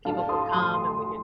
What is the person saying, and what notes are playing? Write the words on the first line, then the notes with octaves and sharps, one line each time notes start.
people could come, and we could
A2 A3 D4 F5 A5
C6 D#6
C6 D#6